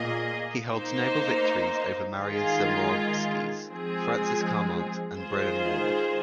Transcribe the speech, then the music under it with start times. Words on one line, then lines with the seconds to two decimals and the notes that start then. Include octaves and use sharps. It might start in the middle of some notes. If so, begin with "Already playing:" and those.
He holds notable victories over Marius Zaromskis, Francis Carmont, and Brennan Ward.
Already playing: A#2 A#3 G#4 D#5
0.70 A#3 D#4 C5
2.18 D#3 G#3 F4 G#4
3.68 F3 G#3 C4 G#4
5.17 D#3 G#3 F4 G#4 C5